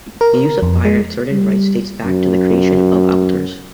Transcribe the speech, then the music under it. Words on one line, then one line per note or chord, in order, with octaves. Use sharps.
The use of fire in certain rites dates back to the creation of altars.
A#4
F2
G#3
G3
F#2